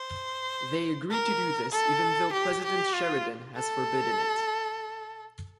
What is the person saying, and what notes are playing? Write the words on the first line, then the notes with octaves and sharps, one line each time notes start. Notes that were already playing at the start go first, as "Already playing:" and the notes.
They agree to do this even though President Sheridan has forbidden it.
Already playing: C5
A#4
A4
G4
G4
F4
A4